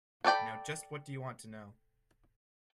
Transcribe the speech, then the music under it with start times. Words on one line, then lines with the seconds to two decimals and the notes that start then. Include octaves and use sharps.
Now just what do you want to know.
0.24 B3 A4 D5 G5 B5